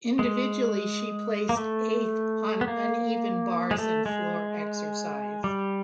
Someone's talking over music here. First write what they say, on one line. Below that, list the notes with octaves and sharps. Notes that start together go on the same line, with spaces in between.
Individually she placed eighth on uneven bars and floor exercise.
G#3
A#3
A3
B3
A#3
G#3
A3
G#3
G3